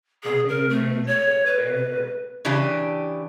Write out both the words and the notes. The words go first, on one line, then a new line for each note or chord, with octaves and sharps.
Nothing remains except bare dirt at the site.
G#4
A#4
A3
C#5
B4
C#3 E3 D4 G4